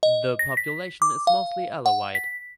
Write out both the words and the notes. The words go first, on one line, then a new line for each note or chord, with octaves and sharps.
The population is mostly Alawite.
D#5
A#6
B6
D6
F5
F#5
B6